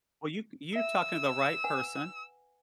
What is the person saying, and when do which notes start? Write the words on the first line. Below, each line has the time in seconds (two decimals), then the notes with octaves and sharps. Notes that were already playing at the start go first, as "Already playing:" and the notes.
Well you you're talking to the right person,
0.76 E5 E6
1.64 B4 F#5 G#5